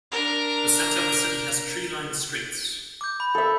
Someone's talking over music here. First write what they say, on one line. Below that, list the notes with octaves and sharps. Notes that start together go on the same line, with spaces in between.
The center of the city has tree-lined streets.
D4 A#4
D6 G6
B5
A4 E5